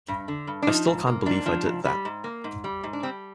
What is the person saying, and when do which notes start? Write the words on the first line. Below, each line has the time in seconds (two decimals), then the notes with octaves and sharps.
I still can't believe I did that.
0.08 G2
0.28 D3
0.47 G2
0.62 D4
0.67 F3 D#4
0.87 G#2
1.07 A#3
1.26 G#2 D4
1.46 F3
1.66 G#2
1.85 G3
2.05 G#2
2.24 A#3
2.44 G#2
2.64 G3
2.83 G#2
2.93 D4
3.03 G3 C4